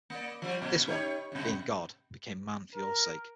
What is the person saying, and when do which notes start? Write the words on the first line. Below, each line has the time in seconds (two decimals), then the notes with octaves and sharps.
This one, being God became man for your sake.
0.10 A#3 D5
0.42 F3 G3
0.62 A#2
0.87 D#4 G4 C#5
1.32 G2 B2
2.76 A#4